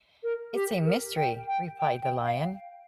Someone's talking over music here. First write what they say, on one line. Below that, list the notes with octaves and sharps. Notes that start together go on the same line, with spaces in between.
"It's a mystery," replied the Lion.
A#4
G4
A#4
G5
G5
G5
G5
F5